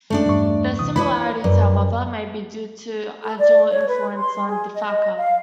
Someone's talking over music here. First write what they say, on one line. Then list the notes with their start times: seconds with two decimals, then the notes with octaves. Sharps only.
The similarities, however, may be due to Ijaw influence on Defaka.
0.10 G#3 A3 C#4 D4 A4 D5
0.26 E2 G2 C#6
0.79 C2 E3 D#6
0.96 E4 B4 C#5 B5
1.44 F#2 B4 D5
3.23 A4
3.39 D5
3.71 C#5
3.88 B4
4.17 C6
4.47 G#4
4.75 D#5
5.18 F5